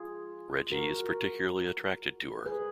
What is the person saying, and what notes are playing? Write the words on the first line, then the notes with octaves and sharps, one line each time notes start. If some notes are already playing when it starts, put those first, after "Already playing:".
Reggie is particularly attracted to her.
Already playing: F4 G#4
F#4 A#4
G#4 B4